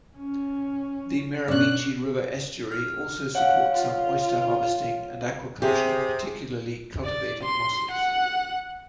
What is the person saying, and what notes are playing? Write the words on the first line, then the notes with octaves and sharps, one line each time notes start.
The Miramichi River estuary also supports some oyster harvesting and aquaculture, particularly cultivated mussels.
C#4
B2 C#4 D4 F#6
F6
C#5 F5 F#5
F4
C3 G4 G#4
D5
C6
F#5